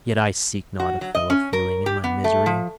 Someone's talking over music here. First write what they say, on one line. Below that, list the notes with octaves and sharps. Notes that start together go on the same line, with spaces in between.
Yet I seek not a fellow feeling in my misery.
F#4
F#3
D#5
C#4
A#4
G4
B3
A3
F3